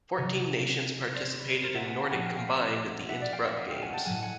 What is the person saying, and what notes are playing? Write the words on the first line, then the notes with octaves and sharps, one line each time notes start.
Fourteen nations participated in nordic combined at the Innsbruck Games.
C3 D#3 F#3 C#5 D#5
C5 D5
B4 C#5
A#4 C5
E5 F#5
F#5 G#5
G5 A5
A#2 F3 F#5 G#5
F5 G5
F5 G5
E5 F#5
E5 F#5
D5 E5
F5 G5
E5 F#5
D#5 F5
F5 G5
F#5 G#5
G5 A5
A2 F#3 F#5 G#5
F#5 G#5